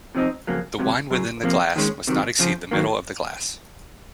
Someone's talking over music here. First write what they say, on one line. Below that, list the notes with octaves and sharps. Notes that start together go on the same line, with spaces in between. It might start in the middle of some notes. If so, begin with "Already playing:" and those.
The wine within the glass must not exceed the middle of the glass.
C3 F3 C4 D#4
F2 C#3 F#3 A#3
C#2 C3 F#3
F#2 C#3 F#3
F2 C3 F3 A#3
D#2 D#3 G#3 C#4
C3 D#3 F#3
F2 C#3 F3
D#3 F#3 A#3